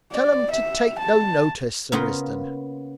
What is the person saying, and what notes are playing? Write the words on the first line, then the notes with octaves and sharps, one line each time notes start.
Tell 'em to take no notice, Sir Risdon.
D5
E5
A5
C#3 A#3 B3 C#4 F4